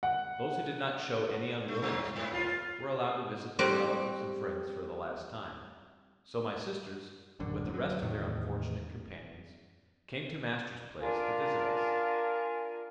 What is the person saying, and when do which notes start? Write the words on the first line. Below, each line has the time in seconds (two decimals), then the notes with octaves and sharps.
Those who did not show any unwillingness to go were allowed to visit their relatives and friends for the last time. So my sisters, with the rest of their unfortunate companions, came to master's place to visit us.
0.03 F#5
1.68 A3
1.82 G2
2.16 G#2
2.33 F4
3.59 G3 C4 F#4 G4
7.39 D#1 A1 F#2 D3
7.74 F#3
8.02 E2 A2 C3 D#3
11.00 D4 F4 A#4 G#5